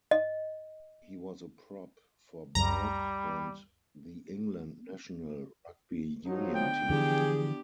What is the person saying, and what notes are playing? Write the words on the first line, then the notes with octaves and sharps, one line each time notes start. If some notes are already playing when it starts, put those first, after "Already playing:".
He was a prop for Bath and the England national rugby union team.
D#5
C#2 F#2 G3 A#5
F3 F#3 D#4
D3 B3 G5
D3 E3 F3 B3 D4 G4 G#4